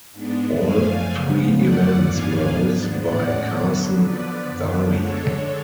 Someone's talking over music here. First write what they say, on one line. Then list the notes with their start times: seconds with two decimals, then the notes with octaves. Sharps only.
All three events were hosted by Carson Daly.
0.12 G#2 G#3 B3 D4
0.61 F#2 F3 A3 D4 F5 G#5
1.09 C#3 F3 B3
1.58 F#2 F3 A3 D5 F#5
2.06 G#2 F3 B3 D4 F5 G#5
2.55 G#2 F3 B3 D4
3.03 A2 G#3 C#4 D5 F#5
3.51 D3 F#3 B3 D4
4.00 D3 F3 B3 B4 D5
4.48 F#2 F3 B3 D4
4.97 D3 G#3 D4 A4 C#5